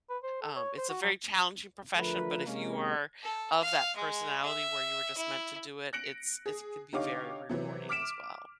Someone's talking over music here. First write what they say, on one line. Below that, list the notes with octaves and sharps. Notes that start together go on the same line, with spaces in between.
Um, it's a very challenging profession, but if you are of that personality where you were just meant to do it it's, it can be very rewarding as well.
B4
C5
A4
C#5
C5
F#4
F#3
D3 F3 A3 F4 A#4 B4
C3 G#3 A#3 C#4
A4
F5
G#3
E5
E4
F#6 A#6 C#7 D7 F#7
G#4
D3 D#4 G4 C#5 F5 D6
C3 E3 F#3
D6 F6 B6 D7 E7